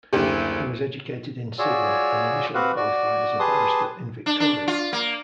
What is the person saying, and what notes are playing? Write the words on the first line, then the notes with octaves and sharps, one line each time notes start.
He was educated in Sydney and initially qualified as a barrister in Victoria.
F#1 D2 G4
F4 F#4 G#4 C#5 D5 E6
C4 F#4 G4 B4 F5 F#5
F#4 D5
G4 G#4 B4 A5 C6 D#6
D4
D4
F4
A#3